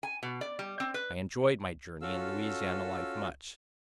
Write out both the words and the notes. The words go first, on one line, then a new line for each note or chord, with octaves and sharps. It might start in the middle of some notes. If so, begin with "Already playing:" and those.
I enjoy'd my journey and Louisiana life much.
G#5
B2
D5
G3
C4
B4
C#4 F4 F#4 A4 F5 E6